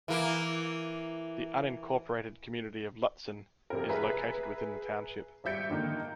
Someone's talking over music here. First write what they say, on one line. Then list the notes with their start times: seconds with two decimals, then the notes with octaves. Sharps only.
The unincorporated community of Lutsen is located within the township.
0.08 E3 A#3
3.70 F2 C3 A#4
3.89 G#4 B4 E5 A#5
5.44 G#1 G3 E5 G6 C#7 D7
5.70 D3 D#3 A#3 D#4